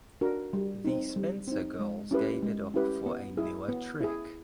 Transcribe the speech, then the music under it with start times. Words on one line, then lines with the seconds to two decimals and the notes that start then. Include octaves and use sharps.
The Spencer girls gave it up for a newer trick.
0.21 D4 F#4 A#4
0.53 G3
0.85 C4 D#4
1.16 G3
1.48 C4 D#4
1.79 G#3
2.11 C#4 E4 G4 B4
2.43 G#3
2.74 C#4 E4 G4 B4
3.06 B3
3.37 E4 G#4
3.69 B3
4.01 E4 G#4